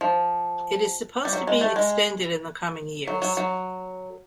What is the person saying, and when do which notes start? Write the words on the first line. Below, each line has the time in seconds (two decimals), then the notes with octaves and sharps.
It is supposed to be extended in the coming years.
0.01 F3
1.25 G3
1.33 F#3
1.47 G#3
1.61 A3
1.76 G#3
3.08 F#3
3.22 F#3
3.37 F#3